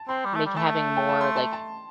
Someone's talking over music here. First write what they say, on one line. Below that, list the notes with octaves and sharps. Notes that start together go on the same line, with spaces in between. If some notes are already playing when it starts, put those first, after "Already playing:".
m make having more, like,
Already playing: A5
C4 C6
G3
A3
G3
A3 A5
G5
A5
C6
A5
A5